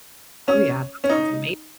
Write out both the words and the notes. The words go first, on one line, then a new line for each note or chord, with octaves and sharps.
Oh yeah, that sounds amazing
C#4
C#4
D#4